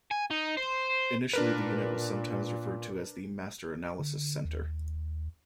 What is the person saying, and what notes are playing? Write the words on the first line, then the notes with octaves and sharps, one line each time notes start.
Initially the unit was sometimes referred to as the Master Analysis Center.
G#5
D#4
C5
A#2 D4 A#4 B4
D3
D#2